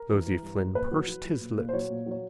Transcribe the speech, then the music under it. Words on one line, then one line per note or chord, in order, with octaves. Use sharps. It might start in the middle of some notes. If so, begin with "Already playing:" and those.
Nosey Flynn pursed his lips.
Already playing: A#4
E3
E3
G2
G2
A#2 B4
F#3
F#3
F#3
A#2
A#2
C5
F#3 C#5
A#2
F#3 C#5